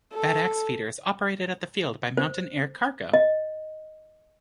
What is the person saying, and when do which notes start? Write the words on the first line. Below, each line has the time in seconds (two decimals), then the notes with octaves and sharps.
FedEx Feeder is operated at the field by Mountain Air Cargo.
0.13 A4
2.17 C5
3.14 D#5